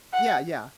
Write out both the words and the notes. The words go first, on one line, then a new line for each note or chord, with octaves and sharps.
Yeah, yeah,
F#5